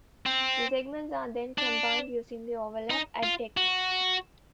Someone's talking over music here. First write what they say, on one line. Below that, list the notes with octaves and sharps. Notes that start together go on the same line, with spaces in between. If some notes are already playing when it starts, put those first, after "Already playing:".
The segments are then combined using the overlap add technique.
C4
D4
D#4
F4
F#4